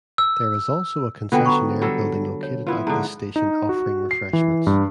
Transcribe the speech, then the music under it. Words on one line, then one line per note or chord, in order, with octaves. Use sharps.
There is also a concessionaire building located at this station offering refreshments.
E6
D3 F#3 B3 F4 G5 G#5
A#5 B5 C#6
F#3 G3 A4
C#5
F3 B3 E4 B4
G#2 D3 A4 A5 A#5
D#4
F#4
C7
E3
G2